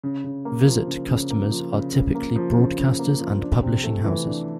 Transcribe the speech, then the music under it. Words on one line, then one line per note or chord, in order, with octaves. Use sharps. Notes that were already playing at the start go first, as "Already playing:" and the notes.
Vizrt customers are typically broadcasters and publishing houses.
C#3
C#3
A#3
F3
C#3
C#3
A#3
F3
C#3
C#3
A#3
F3
C#3
C#3
A#3
F3
D4
C3
A3
E3
D4